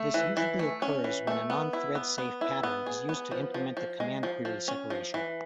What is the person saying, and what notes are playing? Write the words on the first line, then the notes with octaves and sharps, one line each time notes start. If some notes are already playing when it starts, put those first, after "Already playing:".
This usually occurs when a non-thread-safe pattern is used to implement the command-query separation.
Already playing: A3
E3
E3
A3
C#4
E3
A3
B3
E4
B3
B3
E4
B3
G#4
B3
F3
F3
F3
G#3
F3
F3
C#4
F3
E3